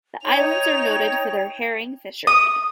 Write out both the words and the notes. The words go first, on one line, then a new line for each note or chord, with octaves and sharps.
The islands are noted for their herring fishery.
D#4 C#5 G5 F7
D#6